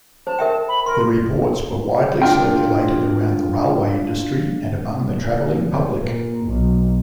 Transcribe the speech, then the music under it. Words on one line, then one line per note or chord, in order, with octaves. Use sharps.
The reports were widely circulated around the railway industry, and among the travelling public.
C5 A5
A#4 E5 G5
B5
A#4 C6
D4 F4 G5
A#2
B1